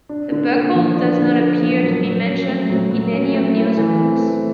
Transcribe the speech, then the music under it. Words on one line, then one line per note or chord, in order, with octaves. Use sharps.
The buckle does not appear to be mentioned in any of the other books.
D4
D3
A#3
F3
D4
D3
A#3
F3
F#3
F#3
C#4
A3
F#3
F#3
C#4
A3
E4
E3
C4
A3